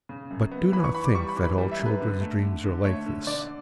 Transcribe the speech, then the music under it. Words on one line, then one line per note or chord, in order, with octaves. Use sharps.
But do not think that all children's dreams are like this.
C#3
F#2
B3
E3 B5
C#6
E3 B5
D6
G3 C#6
B5
E3
B5
G3
E5
F#2
B4
D3
A3
D3
D3
A3 C#5
D3
D3 D5